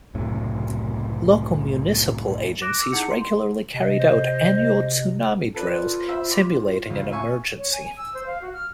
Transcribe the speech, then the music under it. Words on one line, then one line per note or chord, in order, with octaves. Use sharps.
Local municipal agencies regularly carried out annual tsunami drills simulating an emergency.
C2 F#2 A2 C#3
D6 F#6 A#6 D7 E7
D6 E6
D#4 E4 G#4 F#5 G6 C#7
C6
C3 D#5
C5
F4 A4 B4 D5
C5 E5 B5
D6
C#2
E5 G#5 C#6
C#5
G#5
G#5
E6
C5
F5
F#4
F6